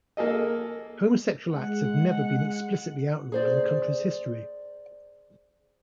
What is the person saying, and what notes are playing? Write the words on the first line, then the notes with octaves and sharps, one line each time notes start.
Homosexual acts have never been explicitly outlawed in the country's history.
A#3 G#4 A4 D#5
G#3 F#5
G#4 C5 D5